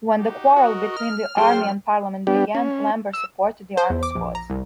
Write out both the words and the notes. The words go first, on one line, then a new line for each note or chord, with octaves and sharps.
When the quarrel between the Army and Parliament began, Lambert supported the Army's cause.
D#4 F#4 G4
F#4 A#4 D#5
F6
F#2 G#4 C5 G5 C6
G3 B3 D4 G4
C#4
E6
C5
E2
D6
A#1
A#5
C2